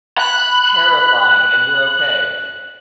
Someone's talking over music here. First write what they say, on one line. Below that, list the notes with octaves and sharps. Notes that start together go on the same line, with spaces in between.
terrifying, and you're okay?
B5 F#6